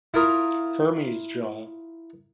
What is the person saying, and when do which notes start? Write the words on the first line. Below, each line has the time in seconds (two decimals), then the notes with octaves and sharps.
Hermes Jaw.
0.14 E4 F4 A#4 D#6